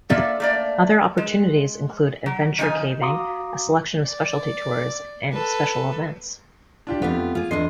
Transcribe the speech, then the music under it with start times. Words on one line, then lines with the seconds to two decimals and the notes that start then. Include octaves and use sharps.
Other opportunities include adventure caving, a selection of specialty tours and special events.
0.10 A#3 F4 A4 D5 E5
0.40 A3 A#3 D5
1.17 G#3
2.26 F#3
2.58 D#3 F3 D#4 G#5
3.01 F#4 F5 A#5 C6 D6 D#6
4.06 D5
5.33 A4 B4
6.87 D4 F4 G4
7.02 F2 A3 B3 F4 G4
7.35 F4 G#4
7.51 E2 A3 D4 D#5 C6 C7